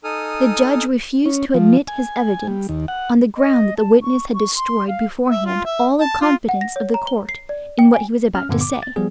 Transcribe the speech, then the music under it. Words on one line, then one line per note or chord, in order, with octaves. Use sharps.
The judge refused to admit his evidence, on the ground that the witness had destroyed beforehand all the confidence of the Court in what he was about to say.
D#4 A4 G#5 D#6 F6
C#4
F3
G#5
G3
D#2
F#5
D#5
A5
C#6
C#6
C6
F5
E5
F4
E5
A5
F4
F#5
A#6
C#5
A#5
G7
C7
D5
G5
G#5
C#4 F6
G2 A#2 D3 B3
D6
A6
F3 G3 B3 G#4